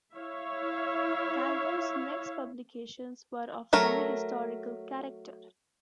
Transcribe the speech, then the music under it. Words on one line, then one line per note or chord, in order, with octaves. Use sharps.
Calvo's next publications were of a semi-historical character.
E4 C#5 E5 F5
F#3 A3 A#4 C#5